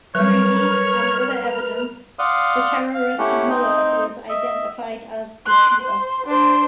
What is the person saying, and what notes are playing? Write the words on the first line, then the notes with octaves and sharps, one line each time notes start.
Through these and other evidence, the terrorist Müller was identified as the shooter.
F#3 G3 A#4 B4 C#5 F6
D5 F5 F#5 C6 D#6
F5
A3 C#4 E4 G4 F#5
C4 D#4 D#5 G5
D#5 E5
C6 F#6
C5
D4 C5